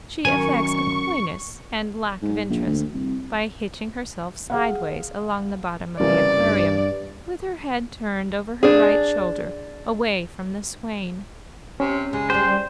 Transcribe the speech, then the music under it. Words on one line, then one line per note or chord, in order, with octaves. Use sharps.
She affects a coyness and lack of interest, by hitching herself sideways along the bottom of the aquarium, with her head turned over her right shoulder away from the swain.
F#2 D#3 A#4 G#5 C#6
G#2
A#1
D2
C2
G#4 F5 F#5
C2 C#3 E3 A#4 D5
G2
D4 G#4
C3 C#4
C#3 G#3
G3 G4 C5